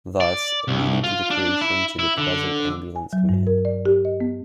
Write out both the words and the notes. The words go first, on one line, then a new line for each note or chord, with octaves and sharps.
Thus, leading to the creation to the present Ambulance Command.
D5
C2
F4
D4
E4
E4
D3
G#5
F#3
G2
A#4
D5
G4
D#5
B3